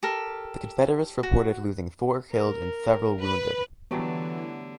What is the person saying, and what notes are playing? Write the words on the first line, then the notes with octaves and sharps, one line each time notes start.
The Confederates reported losing four killed and several wounded.
G4 A4 A#4
F#4
A#4
B4
D3 E3 F#3 G3 A3 B3